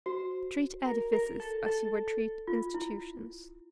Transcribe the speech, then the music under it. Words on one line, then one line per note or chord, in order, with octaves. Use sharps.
Treat edifices as you would treat institutions.
F#4 C5
A#4
A#4
A4
A4
F4
E4